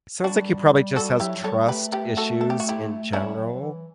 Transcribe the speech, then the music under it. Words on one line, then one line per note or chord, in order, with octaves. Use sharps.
sounds like he probably just has trust issues in general,
G3 D4 F#4
G3 F#4 A4
F#3 E4 G4
F#3
G3 A4 C#5
A3 G4 B4
G4 B4
F#4 A4
A4
G4
F#4
E4 G4
G3 C#4 E4
F#3
F#3
E3